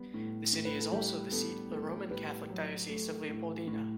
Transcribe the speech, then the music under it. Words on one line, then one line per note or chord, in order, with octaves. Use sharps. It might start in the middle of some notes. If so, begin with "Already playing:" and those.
The city is also the seat of the Roman Catholic Diocese of Leopoldina.
Already playing: G3 B3
A2
A2
B4
A4
G3 G4
B3 A4
A2 A4
A2 G4 B4
F#3
A3
A2
A2